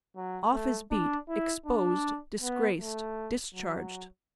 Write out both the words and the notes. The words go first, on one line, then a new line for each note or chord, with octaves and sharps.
Off his beat, exposed, disgraced, discharged.
F#3
A3
D4
E4
D4
B3
A3
F#3